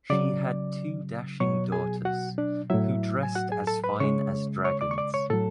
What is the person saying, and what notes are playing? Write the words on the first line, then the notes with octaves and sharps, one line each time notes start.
She had two dashing daughters, who dressed as fine as dragons.
C#3 F#3 D5 D6
B2 F#3 C#5 C#6
G#4 G#5
F#4 F#5
D4 D5
A2 F#3 E4 E5
G#5
F#4 F#5
G#4 G#5
A4 A5
B4 B5
C#3 G#3 C#5 C#6
C#5 C#6
D5 D6
C#6
D5 D6
C#5 C#6
A2 F#3 A4 A5